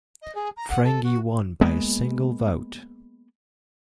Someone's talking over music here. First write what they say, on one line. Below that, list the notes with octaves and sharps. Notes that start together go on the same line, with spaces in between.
Frangieh won by a single vote.
D#5
G#4
A#5
F#5
A4
F#4
G#3 A#3 B3